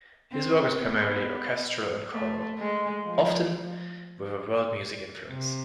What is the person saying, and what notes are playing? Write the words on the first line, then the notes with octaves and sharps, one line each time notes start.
His work is primarily orchestral and choral, often with a world music influence.
C4
B3
A3
G#3
F3
C3